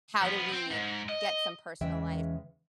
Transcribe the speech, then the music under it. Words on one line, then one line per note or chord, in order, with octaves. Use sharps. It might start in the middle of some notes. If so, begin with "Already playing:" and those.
How do we get some personal life
F3 B3
C4
G#2
D#5
E2 C#3 E3 G#3 E5 G5